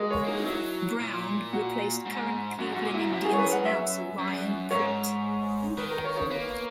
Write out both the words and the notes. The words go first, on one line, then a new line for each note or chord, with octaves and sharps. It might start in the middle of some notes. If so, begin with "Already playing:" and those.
Brown replaced current Cleveland Indians announcer Ryan Pritt.
Already playing: G#3 F#4 G#4 A#4 D#5
C#5
A#3 D#4
G#3 D#4
F#3 E4
A#2
F#4
G#2
F#2 F#4
G#2 F#4
A#2
E4
G#2
F#2 E4
G#4
C#5
B4
F#5
E5
F#2
G#2 C#5
D#3 B4
A#4
C#5
C#5
A#3 B4